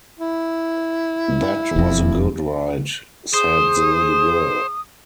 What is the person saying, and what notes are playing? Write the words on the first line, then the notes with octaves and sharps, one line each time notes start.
"That was a good ride," said the little girl.
E4
E1 F2
G#4 C5 D#6